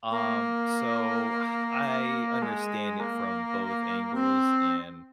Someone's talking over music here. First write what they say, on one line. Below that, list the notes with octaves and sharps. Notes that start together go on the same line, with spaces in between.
Um, so I understand it from both angles and,
A#3
G#3
A#3
C4